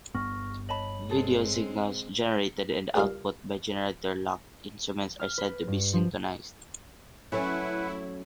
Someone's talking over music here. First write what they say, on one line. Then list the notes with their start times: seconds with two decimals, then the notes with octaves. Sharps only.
Video signals generated and output by generator-locked instruments are said to be syntonized.
0.14 G1 G2 B3 C#6 F6 A#6
0.69 C#5 D#5 A5 B5 F#7
1.10 G#3 C4 G#4 A4
2.95 C#2 G2 A#4 F5
5.20 F6
5.38 B4
5.67 G2
5.93 F3
7.32 F#3 A3 C#4 E4 B4 F#5